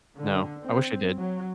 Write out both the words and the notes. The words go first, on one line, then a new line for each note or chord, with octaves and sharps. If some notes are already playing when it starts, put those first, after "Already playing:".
No. I wish I did.
D3
C4
F#3